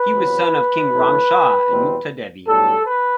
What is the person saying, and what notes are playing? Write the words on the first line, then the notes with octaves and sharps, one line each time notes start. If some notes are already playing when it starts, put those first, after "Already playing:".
He was son of king Ram Shah and Mukta Devi.
Already playing: B4
E2 C3 F#3
B1 A2 E3 A3 C4
E2 B2 G3 C4
B1 A2 G3 A4
B4